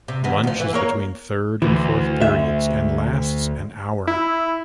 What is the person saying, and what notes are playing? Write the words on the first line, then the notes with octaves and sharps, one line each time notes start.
Lunch is between third and fourth periods, and lasts an hour.
C3
G2 D#3 B3
D2 F3
E3
A#3 A#4 C#5
D2 E3
E5
E4